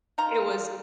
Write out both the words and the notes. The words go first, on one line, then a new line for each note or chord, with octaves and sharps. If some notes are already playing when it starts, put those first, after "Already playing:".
It was
D#4 F4 A#5